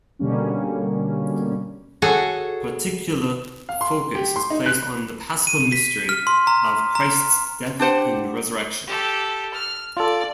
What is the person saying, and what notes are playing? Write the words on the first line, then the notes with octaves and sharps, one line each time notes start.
Particular focus is placed on the paschal mystery of Christ's death and resurrection.
B2 D3 G3 A#3 C#4
F#4 G#4 A4 C#5 G#5
F5
C6
G4
C6
D#4
F#6
D#7
B6
F6
C6
A#5
A#5
D4 G4 C5 F#5
G4 A4
F6
F4 A4 D5